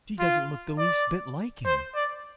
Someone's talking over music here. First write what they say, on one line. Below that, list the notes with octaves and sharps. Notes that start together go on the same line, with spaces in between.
"She doesn't look the least bit like him."
F4
D5
C5
D5